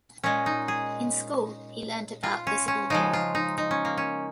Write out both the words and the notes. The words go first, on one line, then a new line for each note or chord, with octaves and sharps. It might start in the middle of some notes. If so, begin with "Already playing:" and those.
In school, he learned about the Civil War.
A#2 G#3 C#4
D#4
G#4
F4
C#4
C#4
C#3 F3 G#3 D#4
F4
D#4
D#4
C#4
A#3
C#4